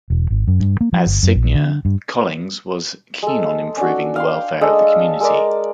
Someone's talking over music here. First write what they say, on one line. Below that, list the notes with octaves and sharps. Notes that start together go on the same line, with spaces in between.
As seigneur, Collings was keen on improving the welfare of the community.
E1
G#1
F#2
G2
A#3
F3
G1
F#2
A#1
D3
G2
G#3 A4
C#4 D4 F#4
F5 G5 C6
G#3 D4 A4 D#5
G#3 A#4 D5